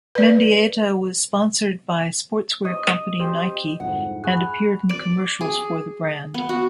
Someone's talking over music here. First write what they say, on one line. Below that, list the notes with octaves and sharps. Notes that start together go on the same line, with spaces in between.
Mendieta was sponsored by sportswear company Nike, and appeared in commercials for the brand.
B4 D5
D#5
G4 C5
C2 F2 G#2 F#5
G#4 F#5 B5 C#6 F#6
D5
G#4
B3
F#4